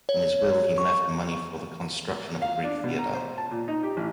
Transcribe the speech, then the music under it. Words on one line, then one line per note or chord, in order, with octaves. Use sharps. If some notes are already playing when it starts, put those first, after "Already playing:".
In his will he left money for the construction of a Greek theatre.
C#5
C#6
F5
D4
B2
A#5
C5
A5
A#2
D#4
G4
A1